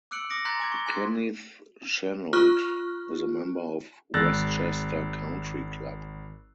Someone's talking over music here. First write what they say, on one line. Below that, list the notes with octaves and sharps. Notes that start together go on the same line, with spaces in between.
Kenneth Chenault is a member of Westchester Country Club.
D6 E6 F#6 C#7 D7 F#7
D6 D#6 A#6 C#7 D7
A#5 C6 F#6 G6 A6 B6
G#5 D6 G#6
C#6
G#5 C6 F#6
F4 C#6 F6 F#6
G#1 E6 F#6 A6 A#6